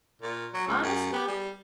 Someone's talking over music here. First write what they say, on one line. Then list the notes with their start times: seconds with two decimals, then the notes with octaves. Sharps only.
"Honest, now?"
0.22 A#2
0.54 F#3
0.68 C#2
0.83 F#2
1.12 B3
1.28 G3